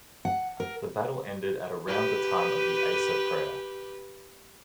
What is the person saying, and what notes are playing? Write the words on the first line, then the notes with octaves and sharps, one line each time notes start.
The battle ended at around the time of the Asr prayer.
F#5
A#4
G4 B4